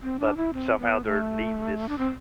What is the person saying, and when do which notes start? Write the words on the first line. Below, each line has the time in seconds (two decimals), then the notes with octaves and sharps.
but somehow they're needing this
0.02 C4
0.19 D4
0.37 E4
0.53 C4
0.79 B3
1.05 A3
1.89 D4
1.98 C4